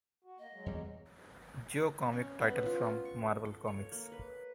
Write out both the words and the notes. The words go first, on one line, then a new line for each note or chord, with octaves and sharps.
Joe comic title from Marvel Comics.
F#4
A#3 D#5
F#3 G#3
E2 G3
C#4
B3
F4
C#6
A4
C#5
A#3
B4